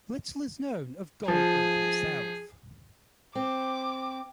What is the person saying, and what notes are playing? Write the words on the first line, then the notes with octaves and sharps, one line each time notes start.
Little is known of Goldwin himself.
F3 G#4
C4 D6